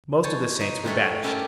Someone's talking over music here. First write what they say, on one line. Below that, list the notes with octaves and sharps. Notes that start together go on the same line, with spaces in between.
Most of the saints were banished.
C5 C#5 G#5 A5
D#4
G2 G#3 A3 C#5
C#4 E4 G4 A4 A#4 D5